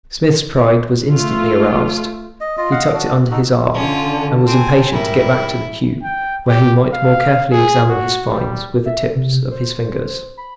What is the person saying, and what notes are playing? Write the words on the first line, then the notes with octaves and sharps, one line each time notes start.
Smith's pride was instantly aroused; he tucked it under his arm, and was impatient to get back to the cube, where he might more carefully examine his find with the tips of his fingers.
A3 F4
D#5
F4 D#5
D#5 F5 F#5
D4 F#4
D#4 F#4 A4
D3 C#4 F4 A5
C4 G#5
G#2 G3 E4 A#4
G5
G4
F5
G#4
F#4
G3
E5
C3
C5
B5